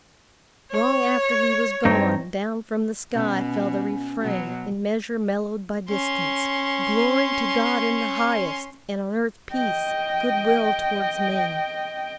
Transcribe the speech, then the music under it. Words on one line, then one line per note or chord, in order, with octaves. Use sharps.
Long after he was gone, down from the sky fell the refrain in measure mellowed by distance, "Glory to God in the highest, and on earth peace, good-will towards men."
C#5
G2 C4 D#4
B2 C#4
B2 F#3
C#4 C6
D#5 G5